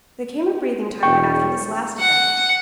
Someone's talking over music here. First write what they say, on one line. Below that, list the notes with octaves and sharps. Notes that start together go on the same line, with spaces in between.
There came a breathing-time after this last event.
E1 G5 C#6
F#5